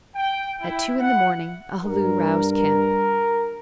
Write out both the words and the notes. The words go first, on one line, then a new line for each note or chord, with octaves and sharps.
At two in the morning a halloo roused camp.
G5
E4
F#5
G2 A#4
A#4